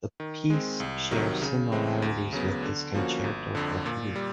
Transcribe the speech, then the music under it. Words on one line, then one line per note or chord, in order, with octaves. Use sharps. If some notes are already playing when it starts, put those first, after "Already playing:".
The piece shares similarities with his concerto for flute.
D#3
G#3 C4
C2
C3 D#3 F#3
C#3
E3 G#3 C4
D2
C#3 F#3 B3
D3
F3 A#3 C#4 F#4
G1
F2 D3
A#2
G3